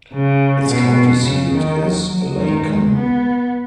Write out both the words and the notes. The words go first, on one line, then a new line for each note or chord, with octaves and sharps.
Its county seat is Lacon.
C#3
B2
C#3
D#3
F#3
F#3
D#3
G#3
B3